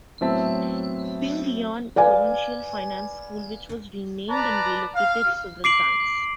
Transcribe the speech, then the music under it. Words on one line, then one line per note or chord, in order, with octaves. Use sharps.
PingYuan Provincial Finance School, which was renamed and relocated several times.
A2 F#3 B3 C4 E5 A5
B4 D5 F5 G#5
B4 D5 A5 A#5
F5
D6 C7 D7 F#7